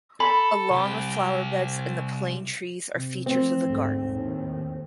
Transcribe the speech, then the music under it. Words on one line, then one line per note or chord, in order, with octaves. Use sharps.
A lawn with flowerbeds and plane trees are features of the garden.
A4 B5
C2 G4
C3
F3 A3 C4
D2 G#2 A3
D#2 A2 D#3